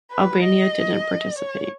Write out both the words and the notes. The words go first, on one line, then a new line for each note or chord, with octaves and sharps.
Albania didn’t participate.
B4
D#5
C#5